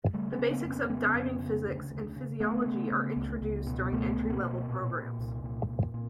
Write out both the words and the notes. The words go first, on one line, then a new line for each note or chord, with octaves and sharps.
The basics of diving physics and physiology are introduced during entry level programs.
C#3 G3 A3
B3 C#4
C#3
A#3 C4
F2
B3 C#4
C#3 B3 C#4
F2
C#3
D2
D2
C#3
D2 A3 B3
C#3
C#3
C#2
C#2
B2
C#2 A3 B3
B2
A#3 C4
B2
A#2
A#2
C2
A#2
A#2
A#2